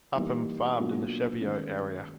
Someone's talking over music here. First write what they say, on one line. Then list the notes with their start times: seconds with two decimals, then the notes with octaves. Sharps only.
Upham farmed in the Cheviot area.
0.15 E3 G3 A#3 D#4
0.79 B2 F#3 A#3 D4 F4
1.41 D#3 G#3 C#4